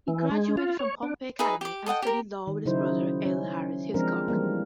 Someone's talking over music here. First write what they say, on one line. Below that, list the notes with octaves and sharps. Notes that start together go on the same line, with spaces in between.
He graduated from Pompey Academy and studied law with his brother L. Harris Hiscock.
E3
G#3
F4
C#5
D4
D#4 G#4 B4 E5
G4 D6
A4 D#5 F#5 G5
G4 A#4
D#3
C#3 F#3 D#4 E4 C5
C#4
F3 G#3 C4 D4 A#4
E3 G3 A#3